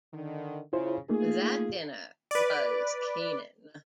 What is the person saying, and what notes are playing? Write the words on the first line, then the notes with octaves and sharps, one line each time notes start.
That dinner was Keenan.
D3 D#3
C#3 E4 F4 C5
A3 A#3 D#4 F4 G#4
B4 D5